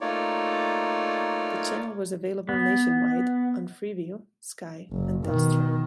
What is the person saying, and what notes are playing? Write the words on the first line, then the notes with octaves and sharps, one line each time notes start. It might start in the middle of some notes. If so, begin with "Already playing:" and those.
The channel was available nationwide, on Freeview, Sky and Telstra.
A3 A#3 D#4 F4 C#5 D5
B3
F#1
B2 D#3